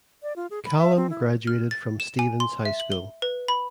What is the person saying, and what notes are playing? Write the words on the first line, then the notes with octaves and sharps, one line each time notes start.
Callum graduated from Stevens High School.
D5
F4
G#4
B5
E5
C4
E4
F6
A6
E7
G#5
C6
E5
F#7
G7
B4
B5